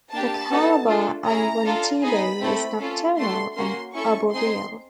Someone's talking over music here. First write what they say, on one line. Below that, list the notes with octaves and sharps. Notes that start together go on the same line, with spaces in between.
The Calabar angwantibo is nocturnal and arboreal.
A#3 D4 G4 A5
B3 D#4 F#4 A4
A3 D4 F4 A4
C#4 E4 G#4 A#5
D4 F4 A4
B3 D#4 G#4 B5
A3 C4 E4 A4
C#4 F4 A4
A3 D4 F#4 A4 C6
A#3 C#4 F#4 C6
C#4 E4 A4 C#6
C4 D#4 G#4 C6